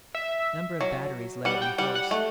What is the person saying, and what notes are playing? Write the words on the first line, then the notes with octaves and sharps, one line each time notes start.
A number of batteries lay unhorsed.
E5
F#3
G3 F#5
G5
G3 F#5
F#5
A3